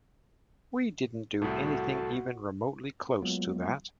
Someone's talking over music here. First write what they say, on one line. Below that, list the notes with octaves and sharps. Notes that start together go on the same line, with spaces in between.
We didn't do anything even remotely close to that.
C2 A2 F#4 A4
F#3 G#3 A#3 B3 F4